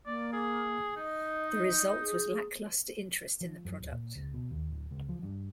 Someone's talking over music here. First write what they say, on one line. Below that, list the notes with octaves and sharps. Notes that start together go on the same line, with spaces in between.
The result was lackluster interest in the product.
A#3 D5
G#4
D#4 D#5
G#4
F3
F#2
D1
A#2
C#2
B2
D#2
D1
C#2
F3
G2